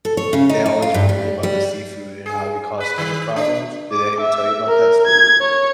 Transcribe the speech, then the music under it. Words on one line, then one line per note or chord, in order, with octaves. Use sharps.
they always warn me about the seafood and how it could cause stomach problems. Did anyone tell you about that stuff?
A4
C#5
C#3
D#4
D#4
F4
G2
G3
G3
G#4
B4
D#3
D4
D6
E5
A#4
G#6
C#5